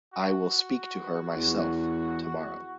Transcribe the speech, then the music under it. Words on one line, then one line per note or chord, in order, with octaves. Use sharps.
I will speak to her myself tomorrow.
F#4
E2